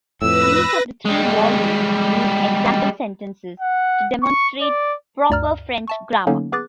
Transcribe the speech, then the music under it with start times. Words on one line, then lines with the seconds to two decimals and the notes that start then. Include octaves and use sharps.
Each of the three volumes use example sentences to demonstrate proper French grammar.
0.22 F2 A2 B4 E6 A#6
1.05 G3 G#3
3.60 F#5
4.23 C#6
4.61 D5
5.30 D2 G2 D5 A#5 F6
5.88 E5 A5 C#6
6.27 D3 F#3 A#3 B3 C#4 D#4
6.52 B3 G#4 B4 D6 F#6 A6